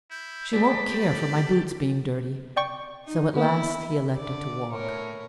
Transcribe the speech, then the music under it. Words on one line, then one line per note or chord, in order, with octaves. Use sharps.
"She won't care for my boots being dirty." So at last he elected to walk.
E4 G6
G#3 A3 B3 A4 D5 B6
G4 A4 D5 D6
D5 G5 C#6
D#4
A#3 B3 E4
D3 D5
A2 A#4 C#5